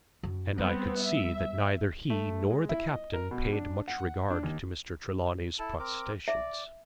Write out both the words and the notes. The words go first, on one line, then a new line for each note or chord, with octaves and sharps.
And I could see that neither he nor the captain paid much regard to Mr. Trelawney's protestations.
F#2
G3 B3 C4
E5
A3
G#3
E4
D#5
A#4
B2
D4
F#5
D4
D#2
E4 A4 A5
C4 A#4 D6
D5 E5